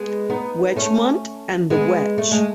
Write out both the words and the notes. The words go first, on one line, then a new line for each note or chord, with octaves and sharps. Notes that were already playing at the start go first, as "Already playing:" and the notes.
Wedgemont and "The Wedge".
Already playing: G#3 B3
B3 D#4
A3 C#4
G#3 B3
A3
G#3